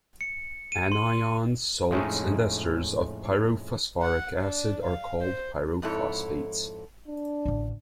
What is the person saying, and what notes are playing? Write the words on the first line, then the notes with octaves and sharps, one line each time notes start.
Anions, salts, and esters of pyrophosphoric acid are called pyrophosphates.
C#7
D#7
C6
F2 A2 G#3 A3 C#4 D#4
F#5
D4
F5
C5
F2 G#2 E4 A4 C#5
D4
A1 D3